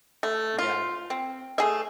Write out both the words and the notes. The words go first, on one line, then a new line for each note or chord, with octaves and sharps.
Yeah, wh
A3
F4
C4
A3 G#4 E5